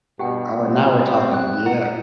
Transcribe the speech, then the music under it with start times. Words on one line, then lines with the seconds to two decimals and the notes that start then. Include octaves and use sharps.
Oh, now we're talking, yeah.
0.19 G2 B2 G4 F#5 G5
0.57 G3 B3 C4
1.34 F#6
1.66 E4 F#5